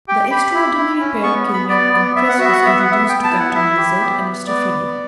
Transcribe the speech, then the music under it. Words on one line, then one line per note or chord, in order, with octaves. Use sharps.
The extraordinary pair came in and Chris was introduced to Captain Blizzard and Mr. Finney.
G4 G5
G4 B5
E4
E4
C#4
B3 C#6
B3
B5
B3 D5
B3
B3 E5
F#5
F#4 E5
F#5
B3 E5
F#5
B3
E5
B3 G5
A5
E4
F#5
E4 E5
G4
B3
B3
B3 D5
B3